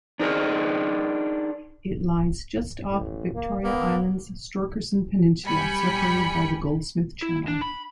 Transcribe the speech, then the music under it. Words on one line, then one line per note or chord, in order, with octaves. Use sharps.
It lies just off Victoria Island's Storkerson Peninsula, separated by the Goldsmith Channel.
D4 D#4 G#4 A#4 D5 D#5
A1
A#3
A#3 B3
F#2 G3 G5 G#5 B5 C#7
E4
D4
B5